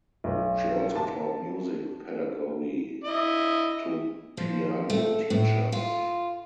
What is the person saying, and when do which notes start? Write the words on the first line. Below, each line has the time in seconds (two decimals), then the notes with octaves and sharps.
She also taught music pedagogy to piano teachers.
0.24 B1
0.96 A5
3.04 E4 D#5
4.37 F3
4.90 A3
5.30 A2
5.72 F4